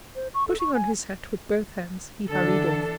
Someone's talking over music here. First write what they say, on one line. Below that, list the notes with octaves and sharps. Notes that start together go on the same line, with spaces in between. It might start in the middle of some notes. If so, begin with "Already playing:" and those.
Putting on his hat with both hands, he hurried off.
C5
C#6
A4
C#6
G#5
D3 E3 D4 A4